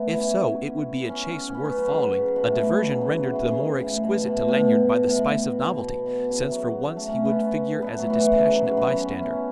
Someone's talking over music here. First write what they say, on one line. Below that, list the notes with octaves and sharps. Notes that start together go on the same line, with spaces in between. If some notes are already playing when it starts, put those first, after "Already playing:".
If so, it would be a chase worth following--a diversion rendered the more exquisite to Lanyard by the spice of novelty, since for once he would figure as a dispassionate bystander.
Already playing: A3 B3
E4
C#4
C#4
C#4
B3
B3
F#3
C#3
B2
A2
B2
C#3
B2
C#3
F#3
F#3
E3
C#3
C#3
C#3
A2
B2
B2
A2
B2
A2
B2
B2
A2
B2
B2
B2
C#3
E3
F#3
A3
C#4
B3
C#4
B3
A3 B3
F#3
E3
E3
C#3
C#3
F#3
E3
F#3
B3
C#4
E4
C#4